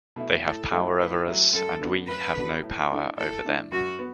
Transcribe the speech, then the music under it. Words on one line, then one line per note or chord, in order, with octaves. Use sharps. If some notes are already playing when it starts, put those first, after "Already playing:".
They have power over us, and we have no power over them.
B2 A3 E4
A2 A4
F#3 A3 E4
A2 B4
F#3 A3 E4
F#2 A4
D3 B3 D4 F#4
F#2 B4
D3 B3 D4 F#4
A2
E3 A3 D4
A2 A4
E3 A3 D4
F#2 F#4
B3